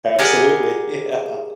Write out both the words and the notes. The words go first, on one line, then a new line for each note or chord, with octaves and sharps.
Absolutely, yeah.
G4 G#4 A#4 D5 F#5 G#5